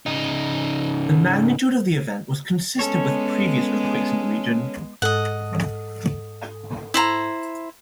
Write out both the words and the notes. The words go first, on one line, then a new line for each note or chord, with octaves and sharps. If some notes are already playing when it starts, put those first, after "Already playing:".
The magnitude of the event was consistent with previous earthquakes in this region.
C#3 D#4
G#3 B3 C#4 A4 C#5
G#2 A4 D#5 F#5 D#6
E4 C5 A#5